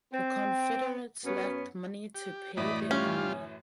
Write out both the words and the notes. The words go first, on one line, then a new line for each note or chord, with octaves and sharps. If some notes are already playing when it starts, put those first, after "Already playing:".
The Confederates lacked money to pay their army.
C4
F#2 B3 C#4
G4
F#2 A2 E3 A3 D5 D#5 B5
G3 C#4 F4